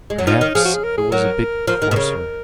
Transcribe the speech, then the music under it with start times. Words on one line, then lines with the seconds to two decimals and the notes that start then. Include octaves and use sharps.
Perhaps it was a bit coarser.
0.10 G#3
0.18 F#3
0.27 F3 D#4
0.41 D#3
0.55 F3 G#4
0.65 F#4
0.74 G#4
0.84 A#4
0.98 G#4
1.12 F#3 A#4
1.67 F3 A#4
1.82 D#3
1.91 B2
1.96 C#3